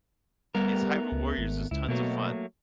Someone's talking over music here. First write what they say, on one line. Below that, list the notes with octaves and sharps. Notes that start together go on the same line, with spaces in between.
is, Hyrule Warriors is tons of fun,
G3 A3 B3 A#4
C#2
G#1
C#2 E4
B2 F#3 A3 A#3